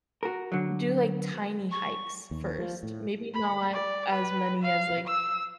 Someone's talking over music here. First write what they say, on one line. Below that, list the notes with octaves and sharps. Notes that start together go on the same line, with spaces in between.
do like tiny hikes first. Maybe not as many as like,
F#4 A#4
D3 F#3
C#6
D#2
F3
A2
B5
D5
B4
F5
E6